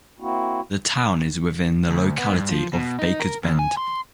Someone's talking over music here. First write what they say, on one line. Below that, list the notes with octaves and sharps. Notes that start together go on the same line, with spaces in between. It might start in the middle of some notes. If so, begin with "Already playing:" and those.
The town is within the locality of Bakers Bend.
A#3 C4 E4 F#4
D2
B3
G2
F3
B2
D#4
A#4
D#2
G#5
C6